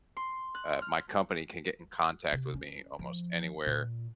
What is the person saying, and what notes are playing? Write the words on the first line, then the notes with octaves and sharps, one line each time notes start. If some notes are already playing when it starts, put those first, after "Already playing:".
uh, my company can get in contact with me almost anywhere
C6
F#6
F6
C3
C#4
F3
A#2